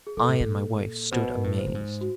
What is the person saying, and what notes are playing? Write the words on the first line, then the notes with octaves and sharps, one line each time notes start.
I and my wife stood amazed.
G#4
A#2 A4
A2
A#2
B2 C5
B4
A#4
A2 B4
C5
A2
G#2
F#4